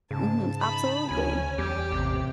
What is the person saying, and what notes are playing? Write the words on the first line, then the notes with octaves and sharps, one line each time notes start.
Mhm. Absolutely.
G#2 C#3 A5
D#4 B5
D2 C#4 G#5
E2 G3 G4
A1 C3